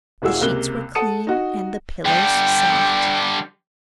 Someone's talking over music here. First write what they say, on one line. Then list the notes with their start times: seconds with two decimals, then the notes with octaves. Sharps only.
The sheets were clean and the pillows soft.
0.22 D#1 A#2 E4 F#4 G#4 E6
0.41 C#2 C3 A#3 F#6 G7
0.95 A4 F#5 A5 D#6 C#7 D#7
1.27 D#4 F#4
2.05 D3 G3 G5